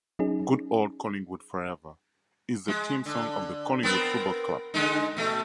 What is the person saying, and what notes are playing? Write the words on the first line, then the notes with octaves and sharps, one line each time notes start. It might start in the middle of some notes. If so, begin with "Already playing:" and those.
"Good Old Collingwood Forever" is the team song of the Collingwood Football Club.
F#3 C#4 D#4 G#4
G#3
D3
B3 C4 A#4
D3 G#3 D#4
B2 A3